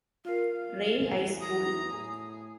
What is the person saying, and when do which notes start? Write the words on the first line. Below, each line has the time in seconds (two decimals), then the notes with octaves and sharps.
Ray High School.
0.25 F4 A#4 F5
1.03 E2 G#4
1.40 A#5 D#6
1.93 A2 G#4